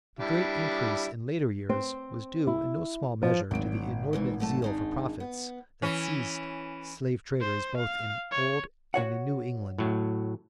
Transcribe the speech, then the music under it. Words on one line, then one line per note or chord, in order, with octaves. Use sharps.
The great increase in later years was due in no small measure to the inordinate zeal for profits that seized slave traders both in Old and in New England.
G3 D4 E4
C4
E4
F3
G#1 D2 F#3 D7
G#2 C#3 E3
F#3 A3 A5
D4 D#4 G#4
B3
E3 C#4
C5
F5
C#5
F#4 C#5 F#5
A2 F#3